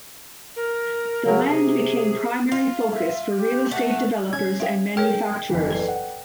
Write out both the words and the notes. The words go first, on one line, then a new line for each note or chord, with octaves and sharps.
The land became a primary focus for real-estate developers and manufacturers.
A#4
C#3 F#3
C3 G#4
F4
F5
E5
G4
A3 F#5
C#4 G#6
E5 F5 G5
G#4 A#4 C#5 G5
F#1 E2 E3
A4 B4 D5
F#5